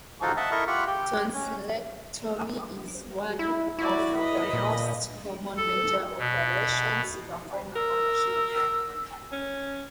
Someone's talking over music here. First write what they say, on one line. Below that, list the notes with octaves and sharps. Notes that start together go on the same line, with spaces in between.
Tonsillectomy is one of the most common major operations performed on children.
D#4 F4 F#4 A4 C5
D#5 E5 F#5 A5
E4 A4 A#4 D#5 E5 C#6
F4 G4 F#5 B5 C#6
G4 G5
C#4
E4
E4 F#4 D5
B4 D#5
A#2
A4
B2
A#4 E6
C#4